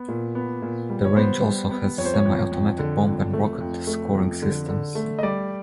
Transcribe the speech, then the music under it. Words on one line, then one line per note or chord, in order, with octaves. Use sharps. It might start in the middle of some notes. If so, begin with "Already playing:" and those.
The range also has semi-automatic bomb and rocket scoring systems.
Already playing: B3
A#2
B3
A#2
G3
C#5
B3 C5
G3
B3
F2 C#5
C5
C#5
F2
F2
D3
F2
A3
F2
A3
F2
D3
D3
A3
D#5
G3 D5